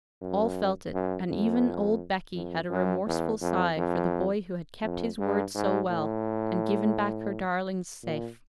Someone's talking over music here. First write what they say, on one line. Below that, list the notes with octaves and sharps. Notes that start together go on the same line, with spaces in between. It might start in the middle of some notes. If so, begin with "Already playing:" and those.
All felt it, and even old Becky had a remorseful sigh for the boy who had kept his word so well and given back her darlings safe.
F#2
F#2
F2
F2
F#2
E2
F2
F2
F2
G2
G#2
A2
A#2